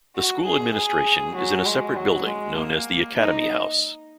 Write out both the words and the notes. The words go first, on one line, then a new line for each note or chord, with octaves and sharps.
The school administration is in a separate building known as the Academy House.
F#4
G#4
G#4
F#3
G#3
F#3
G#3
A#3
D#4